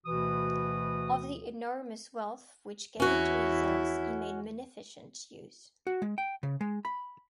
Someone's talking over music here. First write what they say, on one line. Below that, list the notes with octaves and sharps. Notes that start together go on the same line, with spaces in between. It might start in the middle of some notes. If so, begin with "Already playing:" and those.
Of the enormous wealth which came into his hands he made munificent use.
D2 B2 E3 F#4 D#6
E2 C#4 E4 F#4
F#4
G#3
G5
C#3
G#3
B5